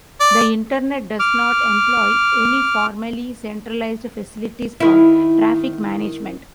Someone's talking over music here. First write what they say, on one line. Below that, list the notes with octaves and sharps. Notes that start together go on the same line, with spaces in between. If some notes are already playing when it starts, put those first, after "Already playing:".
The Internet does not employ any formally centralized facilities for traffic management.
D5
D6 F6
D#3 E4